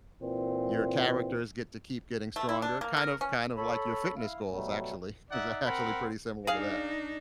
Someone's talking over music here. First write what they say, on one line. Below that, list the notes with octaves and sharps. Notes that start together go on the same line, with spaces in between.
your characters get to keep getting stronger, kind of kind of like your fitness goals actually, is actually pretty similar to that
A#2 E3 C4
A3
E4
D4
A#3
A#4
C#4
A4 C#5 B5
E4 F5
B2 F#3 G3 A3
D#4 D5 E5 F#5
C4 A#4 F#5 B5
D4 D#4 G#4 F5